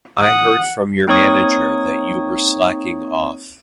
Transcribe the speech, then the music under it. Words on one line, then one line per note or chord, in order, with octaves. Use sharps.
I heard from your manager that you were slacking off.
F#5 D#6
A#3 C4 D#4 C#5 C#6 D#6